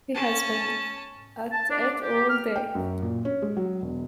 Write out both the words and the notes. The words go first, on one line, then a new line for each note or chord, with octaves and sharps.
He has been at it all day.
C#4 A5
A5
D4
G4
F6
G5
F#2
A#2
C#4
G#3
F#3
E1